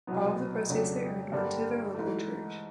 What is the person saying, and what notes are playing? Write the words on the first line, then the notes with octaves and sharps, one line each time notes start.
All of the proceeds they earned went to their local church.
C2 B2 F#3 B3
F2 C#3 F#3 A3 D4
G2 D3 G3 A#3 D4
G#2 E3 A3